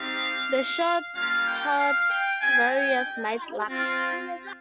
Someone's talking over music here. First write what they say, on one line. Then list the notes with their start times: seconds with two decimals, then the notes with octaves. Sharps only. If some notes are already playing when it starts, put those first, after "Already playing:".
The show toured various nightclubs.
Already playing: G3 C4 D#4 G4 F5
1.14 G3 A#3 C#4 F4 F5
1.46 G5
1.78 F5
2.10 G5
2.41 C4 G4 G#5
2.73 G5
3.67 C4 F4